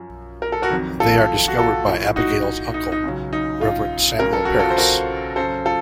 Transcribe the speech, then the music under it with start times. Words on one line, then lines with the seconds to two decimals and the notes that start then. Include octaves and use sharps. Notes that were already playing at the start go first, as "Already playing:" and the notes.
They are discovered by Abigail's uncle, Reverend Samuel Parris.
Already playing: F#2 F3
0.42 A#4
0.52 A4
0.62 F#4 A#4
0.70 F2 D#3 F#3
1.00 F4 A4
1.48 F#4
1.58 F4 A4
1.87 A2 F3
2.16 D#4 F#4
2.74 D#4
2.92 D#4
3.04 C#2 C#3 F#3
3.33 D#4
3.61 F4
4.19 C#2 C#3 F#3 A#4
4.33 A4
4.45 F#4
4.59 F4 A4
4.70 C5
4.78 F#4 A#4
5.36 F#2 C#3 F#3 A4 C5
5.65 F4 A4